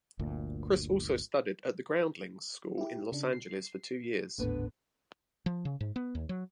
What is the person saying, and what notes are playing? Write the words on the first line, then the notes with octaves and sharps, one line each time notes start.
Chris also studied at the Groundlings school in Los Angeles for two years.
G1 D2 A#2
E4 G4
C#3 D4
C7
G#1 D#2 A2 D3 B3 B4
F3
C#3
G#2
B3
D#2
F#3